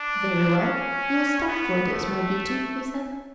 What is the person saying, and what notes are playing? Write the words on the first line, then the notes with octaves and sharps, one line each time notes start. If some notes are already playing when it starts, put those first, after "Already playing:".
"Very well; you'll starve for this, my beauty!" he said.
Already playing: D4
C#4
B3
A3